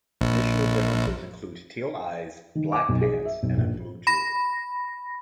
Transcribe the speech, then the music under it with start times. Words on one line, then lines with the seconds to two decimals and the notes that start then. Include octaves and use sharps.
Additional differences include teal eyes, black pants, and a blue jewel.
0.21 A#1
2.55 D#3
2.72 D6
2.89 B1
3.01 G#4
3.25 E5
3.43 B1
3.57 A#1
4.07 B5 A#6